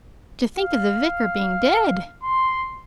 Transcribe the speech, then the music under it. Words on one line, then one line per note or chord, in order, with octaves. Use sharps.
To think of the Vicar being dead!
F5
C6